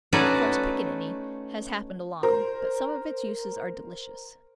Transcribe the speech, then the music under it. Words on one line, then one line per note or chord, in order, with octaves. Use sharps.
Of course, pickaninny has happened along, but some of its uses are delicious.
A3 C#4 D#4 F#4 B4 D5
A#4 C5